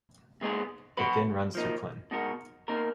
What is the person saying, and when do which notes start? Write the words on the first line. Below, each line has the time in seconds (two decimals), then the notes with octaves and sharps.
It then runs through Clinton.
0.41 A#2 G#3 B3 D#4 G#4
0.97 B2 F#3 B3 F#4 B4
1.55 F3 A#3 D#4
2.11 B2 G#3 D#4 F#4 A#4
2.68 B2 A#3 D#4 A#4